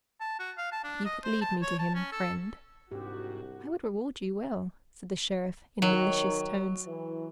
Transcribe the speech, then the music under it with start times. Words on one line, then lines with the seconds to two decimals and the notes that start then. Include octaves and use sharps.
"If you could lead me to him, friend, I would reward you well," said the Sheriff, in malicious tones.
0.20 A5
0.39 F#4
0.58 F5
0.72 A5
0.84 D4
1.05 D#5
1.24 C5
1.41 A5
1.62 C#5
1.79 A5
1.95 C#4
2.12 A4
2.91 C2 G#2 D4 F#4 G4
5.82 D#3 F#3
6.86 E3